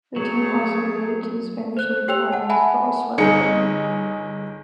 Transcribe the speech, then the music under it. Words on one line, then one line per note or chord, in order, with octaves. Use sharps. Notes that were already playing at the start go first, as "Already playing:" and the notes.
The team also made it to the Spanish League finals, but was swept there.
F#3 A3 G#4 C#5
C5 F#6
G4 C#5 G5 E6 F#6 F7
F#5 A5
E5 F#5 G#5 A5 B5
G1 D#4 G#4 C#7